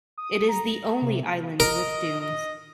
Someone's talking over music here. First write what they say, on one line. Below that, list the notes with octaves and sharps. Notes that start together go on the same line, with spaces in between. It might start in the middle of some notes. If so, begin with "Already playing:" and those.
It is the only island with dunes.
D#6
A#5
C3
A#4 D#5
D#5